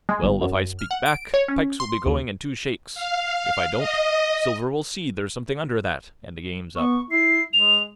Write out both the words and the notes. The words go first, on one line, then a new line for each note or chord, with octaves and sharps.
Well, if I speak back, pikes will be going in two shakes; if I don't, Silver will see there's something under that, and the game's up.
G#3
G1
F#2
F6
F#5
D7
C#5
C#4
C6
D#2
F5
D#5
B3 C#6
E4 C7
G#3 F7